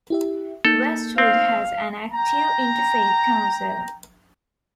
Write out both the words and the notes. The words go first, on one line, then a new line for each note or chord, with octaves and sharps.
Westwood has an active Interfaith Council.
E4 G4 E5
A#3 D#4 A4 G6
C4 F5
G5 A#5